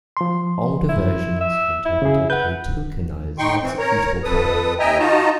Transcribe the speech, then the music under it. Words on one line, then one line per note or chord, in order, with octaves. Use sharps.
Older versions interpreted a tokenized executable file.
F3 C6
E4
E5
E4
C#3 G#4
B4 F#5 G6
A2 D#4 G5 C6 C#6
E3 C4
A#4 C#5 A#5
F2 A4 B4 D#6
D#2 D#5 E5 G5 G#5 A#5
D#4 F4 F#4 D#5 A5 A#5